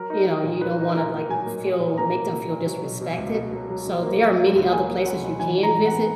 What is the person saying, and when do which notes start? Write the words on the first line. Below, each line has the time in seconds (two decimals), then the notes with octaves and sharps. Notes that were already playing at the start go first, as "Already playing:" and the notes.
you know, you don't wanna, like, feel make them feel disrespected. So, there are many other places you can visit.
Already playing: F#3 A#4
0.10 D#4
0.27 D#4
0.44 A#2
0.61 A#2 B4
0.79 D#4
0.96 A#2 A#4
1.13 A#3
1.29 F#3 G#5
1.46 A#3
1.65 A#2
1.81 A#2
1.98 A#3 A#5
2.15 A#3
2.33 A#3
2.50 A#2
2.66 F#3
2.84 B2
3.01 B2
3.18 C#2
3.34 B2
3.53 F#3
3.70 F#3
3.87 F#3
4.03 A#3
4.20 F#3
4.38 A#3
4.55 C#2
4.72 A#3 G#5
4.89 A#3
5.05 F#3 F#5
5.23 B2
5.40 E3 G#5
5.57 E3
5.63 A#5
5.75 G#2
5.86 F#5
5.92 B3